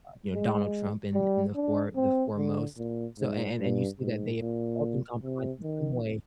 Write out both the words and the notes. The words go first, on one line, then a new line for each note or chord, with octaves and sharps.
uh, you know, Donald Trump in in the fore the foremost. So, and and you see that they have all been compromised in some way
G#3
G3
D4
C4
D3
A#2
G#2
G2
G#2
A#2
C3
D#3